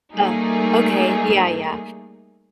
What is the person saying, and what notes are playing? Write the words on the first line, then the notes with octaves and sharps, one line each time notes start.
Oh, okay, yeah, yeah,
G3 A3 A#3 D#4 G#4